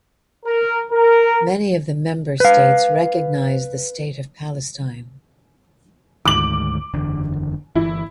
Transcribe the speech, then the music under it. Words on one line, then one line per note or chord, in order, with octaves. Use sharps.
Many of the member states recognise the State of Palestine.
A#4
A#4
B4 F5
D2 G#2 D#3 D6 F#7
F#1 E2 D3
G1 E3 E4